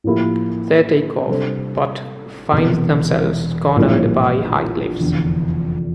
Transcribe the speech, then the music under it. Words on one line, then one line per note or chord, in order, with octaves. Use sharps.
They take off, but find themselves cornered by high cliffs.
A2 F3 A#3 E4 G4
C3 G3 D4 A4 C5
E1 E2 C3
A#1 A2 G3 A#3 D4
F1 E2 D3